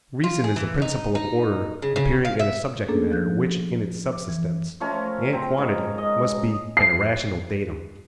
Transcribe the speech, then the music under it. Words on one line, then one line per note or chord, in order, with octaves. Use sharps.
Reason is a principle of order appearing in a subject-matter which in its subsistence and quantity must be an irrational datum.
F4
G#4
E3
D#4
D#4
C#3
C#3
F5
E5
A3 A#3 C#4 D4 G#4 A4
F3 F#6 G6
D6
E3
F3 A3 C#4 A#4
C4 A#5
G#2 C#4
D#5
C7